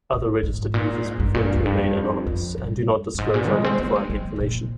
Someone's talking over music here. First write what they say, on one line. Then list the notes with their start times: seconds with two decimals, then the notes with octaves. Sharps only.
Other registered users prefer to remain anonymous, and do not disclose identifying information.
0.13 G#2
0.43 G#2
0.74 A#2
1.05 G#2
1.20 G2
1.34 A#2
1.45 G2
1.55 F2
1.66 G2
1.97 F2
2.27 F2
2.58 G2
3.15 G2
3.18 G#2
3.34 A#2
3.49 G#3
3.64 C4
3.79 A#3
3.96 G#3
4.10 G3
4.26 C3
4.36 G#2
4.41 A#2